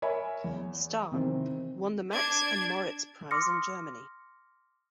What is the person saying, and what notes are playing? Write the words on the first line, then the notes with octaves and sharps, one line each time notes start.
Star, won the Max and Moritz Prize in Germany.
A#4 C#5 E5 G#5 B5
E2
C3 D#3 E3 C4
D4 G#6
C6 D6 D#6 F6 A#6 C#7